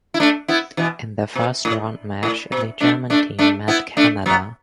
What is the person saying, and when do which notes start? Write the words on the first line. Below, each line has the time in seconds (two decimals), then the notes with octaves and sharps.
In the first round match the German team met Canada.
0.14 E4
0.20 A3 D4
0.48 B3 E4
0.77 B2 E3
1.35 B2
1.65 A2
2.23 A2
2.52 B2
2.80 A3 D4
3.10 A3 D4
3.38 A3 D4
3.68 B3 E4
3.97 A3 D4
4.26 F#3 B3